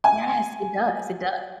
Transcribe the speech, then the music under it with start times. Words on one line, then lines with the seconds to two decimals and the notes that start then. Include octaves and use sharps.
Yes, it does, it does.
0.04 G#5